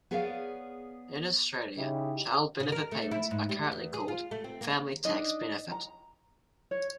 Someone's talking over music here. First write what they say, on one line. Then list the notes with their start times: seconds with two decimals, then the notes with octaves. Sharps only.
In Australia, Child benefit payments are currently called Family Tax Benefit.
0.11 B3 G#4 A#4 C#5 D5 F5
1.76 C#3 D#4 E4 G4
2.60 C#3
2.72 A#4
2.92 A3
3.11 E4
3.31 G#2
3.49 G3
3.72 E2
3.94 G#4
4.08 F4
4.31 A3
4.44 C4
4.61 A#3
5.05 D4 D#4 D#5
5.72 A#5
6.71 C#5